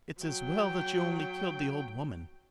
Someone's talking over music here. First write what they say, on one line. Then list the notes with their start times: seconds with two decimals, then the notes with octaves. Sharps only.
It's as well that you only killed the old woman.
0.21 F#3 G5